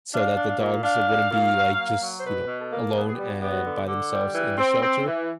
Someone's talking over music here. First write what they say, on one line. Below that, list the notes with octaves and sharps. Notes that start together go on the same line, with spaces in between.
so that the dogs wouldn't be, like, just, you know, alone and by themselves in the shelter,
D4 F5
D4
F5
A#2
D4 F5
D4
A#2
F#3
A#3
F#3
C5
B2 B4
B2
A4
A#3
B3 G#4
G#4
G4
G3
F#4
B3 G4
F#4
D3
D3
G3
E3
C4
C4
E3